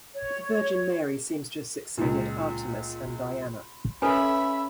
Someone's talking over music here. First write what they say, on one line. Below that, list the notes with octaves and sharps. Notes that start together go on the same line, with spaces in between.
The Virgin Mary seems to have succeeded Artemis and Diana.
C#5
C#2 A#2
C#4 A4 B4 E5 G#5 B5